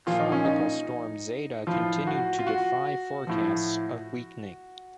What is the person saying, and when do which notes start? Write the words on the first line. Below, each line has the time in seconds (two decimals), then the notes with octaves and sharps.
Tropical Storm Zeta continued to defy forecasts of weakening.
0.07 A#2 F3 F4
0.19 D#4
0.32 C#4
0.45 D#4
1.67 A2 F3 F4
2.07 F#4
2.39 F4
2.47 F#4
3.27 A2 F3